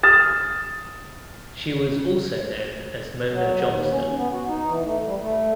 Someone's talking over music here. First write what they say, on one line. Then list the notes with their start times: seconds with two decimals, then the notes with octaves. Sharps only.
She was also known as Mona Johnston.
0.03 D#6 F6 A6 E7
3.31 F#3
3.62 D#2
3.92 C#4
4.16 B3
4.33 F#4
4.48 D#4
4.67 E3
4.84 A3
5.05 G3
5.21 A3